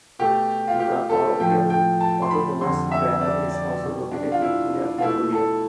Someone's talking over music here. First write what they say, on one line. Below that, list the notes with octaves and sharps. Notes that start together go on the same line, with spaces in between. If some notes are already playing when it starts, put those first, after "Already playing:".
The Oroqen Autonomous Banner is also located in Inner Mongolia.
B2 A3 G4
F4
G4
A4
A2 F3 A3 G5
G5
A5
C6
B5
F2 D3 G3 C6
E5
D5
D5
B2 G3
D4
F4
E4
F4
B2 A3 E4
A4